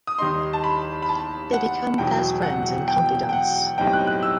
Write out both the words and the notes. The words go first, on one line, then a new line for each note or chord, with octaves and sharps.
They become fast friends and confidantes.
D#6
D#2 D#3 G3 D#4 C6
A5
B5
B5
A5
F#5
E1 E2 B2 F#3 G5
F#5
G5
G5
F#5
B1 A2 G3 C4 D#4 G5
F#6
F#6
E6